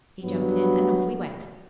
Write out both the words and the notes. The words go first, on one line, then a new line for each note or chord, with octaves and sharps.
He jumped in and off we went.
G2 F#3 B3 F#4